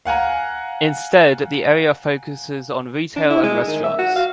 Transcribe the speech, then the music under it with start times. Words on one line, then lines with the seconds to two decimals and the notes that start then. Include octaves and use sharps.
Instead, the area focuses on retail and restaurants.
0.05 F5 F#5 G#5 A#5
3.16 D4
3.30 E4
3.43 G#3
3.68 D#3
3.83 E5
3.98 F#4
4.16 F5